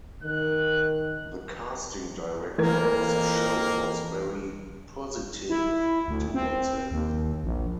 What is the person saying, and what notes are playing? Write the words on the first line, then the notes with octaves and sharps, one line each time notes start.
The casting director of the show was very positive towards him.
D#3 F#6
F2 E3 A#3 A#4 G#6
E4
D2
C4
D#2
A#1